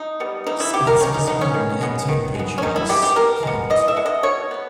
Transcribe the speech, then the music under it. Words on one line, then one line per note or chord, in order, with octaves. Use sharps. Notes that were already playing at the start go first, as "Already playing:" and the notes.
Spence was born in Tunbridge Wells, Kent.
Already playing: D#4
G3 B3
E3 D#4
E4
G3 B3 G4
A#4
D#3 C#4
D#4
G#3 B3 D#4
C#4
D#3
G#3 B3
D#3
G#3 B3
C#4
D#3 D#4
E4
G#3 B3 G4
G4
E3 A#4
G#3 B3
E3 D#5
E5
G#3 B3
D#5
B2 C#5
B3